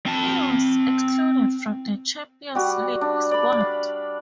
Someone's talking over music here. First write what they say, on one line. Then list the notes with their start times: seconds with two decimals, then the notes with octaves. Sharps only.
He was excluded from the Champions League squad.
0.06 C4 A5
2.55 G3 F#4
3.01 D4
3.31 D5 B5
3.61 F5